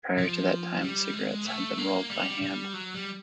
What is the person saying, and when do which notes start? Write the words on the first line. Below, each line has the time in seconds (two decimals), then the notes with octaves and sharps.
Prior to that time, cigarettes had been rolled by hand.
0.18 F3
0.82 G3
1.13 G#3
1.46 A3
1.78 A#3
2.10 G3
2.42 G3
2.73 F#3
2.95 G3